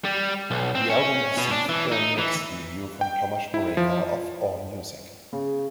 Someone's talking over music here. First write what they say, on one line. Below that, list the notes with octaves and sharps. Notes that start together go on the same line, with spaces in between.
The album received a mixed review from Tomas Mureika of "Allmusic".
G3
B1
C4
C#4
B2
D4
E3
D#4
E3
G5
E4
F3
C#3